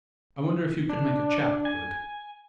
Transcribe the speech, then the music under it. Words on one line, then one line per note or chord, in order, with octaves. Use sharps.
"I wonder if you could make a chap good?"
D4
G#5